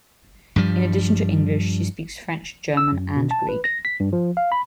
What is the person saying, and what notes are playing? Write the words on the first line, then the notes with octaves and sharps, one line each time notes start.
In addition to English, she speaks French, German, and Greek.
G2 F3 G3
E6
F#2
B2
A5
B4
A#6
B6
G2
F3
F5
B5